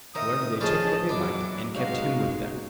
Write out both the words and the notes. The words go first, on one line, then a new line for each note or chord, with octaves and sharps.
However they took what they liked, and kept him with them.
D#3 D#4 E5 A#5 D#6
C#3 F3 F4 G#4 B4 C#5 D#5 A5
F#3 D4 E4 D6
F#3 G#3 D#4 F#4 F5